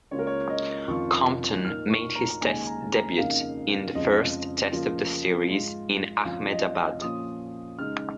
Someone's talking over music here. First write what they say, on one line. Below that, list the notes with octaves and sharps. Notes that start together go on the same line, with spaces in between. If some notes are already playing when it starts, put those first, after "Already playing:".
Compton made his test debut in the first Test of the series in Ahmedabad.
C#2 C#3 A#3 F4 C#5
A#4
C#5
D#5
F2 D#3 C#4 F4 C#6
A#2 A#3 D#4 F6
C#6
A#5
D#2 C#3 G#3 D#4 G#5
A#5
A#5
F2 C#3 A#3 D#4 F5
F2 C#3 F3 G#3 F4 D#5
C#3 F3 A#3 F4
G#2 G#3 F4
F2 F3 C#4 F4 F5
D#5
D#5
A#2 F3 C#4 F4 D#6
C#3 G#3 D#4 F6